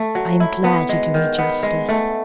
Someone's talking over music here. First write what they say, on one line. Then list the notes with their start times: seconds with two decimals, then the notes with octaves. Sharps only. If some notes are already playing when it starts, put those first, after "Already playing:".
I am glad you do me justice.'
Already playing: A3
0.15 F#3
0.40 E4
0.64 B3
0.89 G#3
1.14 D#3
1.38 B3
1.63 G#3
1.89 A3